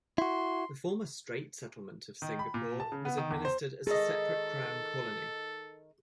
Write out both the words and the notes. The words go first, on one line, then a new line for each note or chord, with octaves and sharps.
The former Strait Settlement of Singapore was administered as a separate crown colony.
E4 F#4 C6
D#3
B5
A#2
A5
C#3
B3
D#3
E2
C5
D#3 G#4 A4 D#5